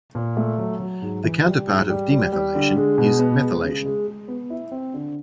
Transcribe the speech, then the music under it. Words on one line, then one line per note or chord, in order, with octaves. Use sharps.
The counterpart of demethylation is methylation.
A#2
A3
F#3
F#3
G#2
E3
G3
G#2
G3
G3
G3
D3
G#3
B2
B3
G#3
C#3
G#3
G#3
B3
E4
C4
D3